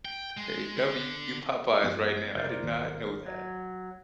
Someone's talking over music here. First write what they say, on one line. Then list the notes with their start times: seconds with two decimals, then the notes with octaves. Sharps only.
Hey, W Popeyes right now, I did not know that.
0.05 G5
0.37 G#3
0.77 D3
1.84 G2 F3 B3
2.36 F1 A#4 C5 D5
2.62 G#1 D#2
3.26 F#3